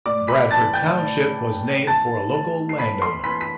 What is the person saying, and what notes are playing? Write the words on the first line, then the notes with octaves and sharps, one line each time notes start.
Bradford Township was named for a local landowner.
A2 D5 D6
B5 B6
E3 A5 A6
G5 G6
A2
A2
E3 A5 A6
E3
C7
E3 B5 B6
C6 C7
E3 B5 B6
B6